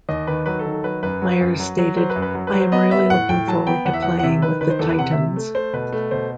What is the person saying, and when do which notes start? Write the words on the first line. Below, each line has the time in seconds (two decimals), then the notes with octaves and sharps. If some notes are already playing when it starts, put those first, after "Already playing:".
Meyers stated, I am really looking forward to playing with the Titans.
0.09 D#2 D#5
0.27 D#3 B4
0.46 F#3 B4
0.59 A4
0.66 D#3
0.72 A4
0.84 F#3 B4
1.03 F#2 B4
1.22 F#3
1.41 F#2
1.59 F#3
1.78 F#3
1.96 F#3 C5
2.10 B4
2.16 F#2
2.22 B4
2.35 F#3
2.47 B4
2.53 F#3
2.60 C5
2.72 B3 D#5
2.91 B3 E5
3.10 A2 F#5
3.29 A2 G5
3.47 F#3 A5
3.67 B3 G5
3.85 E2 F#5
3.93 E5
4.02 E2 F#5
4.19 F#5
4.23 C3 E5
4.42 D#3 B4
4.61 D#3 B4
4.70 C5
4.79 E2 A4
4.89 B4
4.99 C3 F#5
5.11 E5
5.17 C3
5.36 A3
5.55 A3 C5
5.73 B2 B4
5.92 A3
6.11 B2 C5